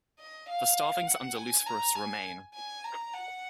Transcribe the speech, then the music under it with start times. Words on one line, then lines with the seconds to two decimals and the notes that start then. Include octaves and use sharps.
The Starvelings under Luseferous remain.
0.19 D#5
0.49 F5
1.07 F#5
1.37 G#5
1.66 A#5
1.96 G#5
2.54 G#5
2.84 A#5
3.14 F#5